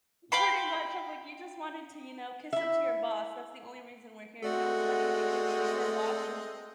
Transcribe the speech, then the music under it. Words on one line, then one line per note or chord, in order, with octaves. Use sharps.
Pretty much, I'm like, "You just wanted to, you know, kiss up to your boss, that's the only reason we're here," and it was funny because it's, like, her boss was
F5 G5 B5 C6
E4 E5
G#3 A3 C4 F#4 A4 D5 D#5 F#5